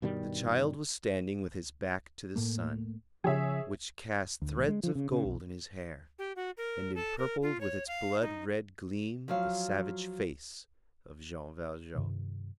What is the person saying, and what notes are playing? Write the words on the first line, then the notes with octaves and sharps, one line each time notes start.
The child was standing with his back to the sun, which cast threads of gold in his hair and empurpled with its blood-red gleam the savage face of Jean Valjean.
G2 B2 D#3 G3
A2 A3 A#3
C#3 F3 G#4 C#5 E5
D2
A1
G#3
F3
C#3
C#3
B1
G4
F#4
A#4
A4
A#4
F4
C#5
F5
D#4
F3 F#3 F5
G2 C3 D#3